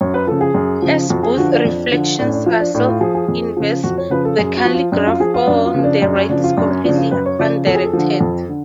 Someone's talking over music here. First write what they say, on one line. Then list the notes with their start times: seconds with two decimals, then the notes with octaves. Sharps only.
As both reflections are self-inverse the Cayley graph on the right is completely undirected.
0.01 F#2 C#5
0.14 B4
0.27 C#3 F3 A4
0.41 G#4
0.54 F#2
0.82 C#3 F3
1.09 F2 F#4
1.23 G#4
1.37 D3 F3 F#4
1.51 D4
1.65 F2
1.91 D3 F3
2.19 A2 D4
2.26 C#4
2.33 D4
2.46 F3 F4
2.60 D4
2.75 A2 D4
2.88 F4
3.01 F3 G#4
3.15 G#4
3.28 F2
3.57 C#3 F3
3.83 F2 F#4
3.98 C#5
4.10 C#3 F3 B4
4.25 A4
4.38 F#2 G#4
4.57 F#4
4.65 F3
4.75 F4
4.92 F#2 D4
5.07 F4
5.20 F3 G#4
5.34 F4
5.47 F#2 D4
5.66 F4
5.75 C#3 F3
5.84 D4
6.02 F#2 D4
6.16 C#4
6.29 C#3 F3 D4
6.44 F4
6.57 F#2 D4
6.71 C#4
6.85 C#3 F3 D4
6.98 F4
7.11 F#2 B4
7.26 C#5
7.39 C#3 F3 D5
7.66 F2 A4
7.75 G#4
7.84 A4
7.93 D3 F3
8.21 F2
8.49 D3